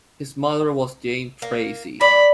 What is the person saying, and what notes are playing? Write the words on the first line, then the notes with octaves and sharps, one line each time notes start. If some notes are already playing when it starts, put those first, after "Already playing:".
His mother was Jane Tracy.
A#3
D5 B5